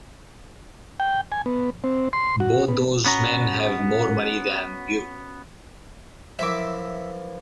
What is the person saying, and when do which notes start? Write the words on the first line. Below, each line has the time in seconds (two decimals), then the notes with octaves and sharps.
Both those men have more money than you!
1.00 G5
1.32 G#5
1.46 B3
1.84 C4
2.13 C6
2.40 F#4
2.68 B3
3.06 B3 C#4 F#4 A#5
6.39 F#2 E3 F3 E5 D6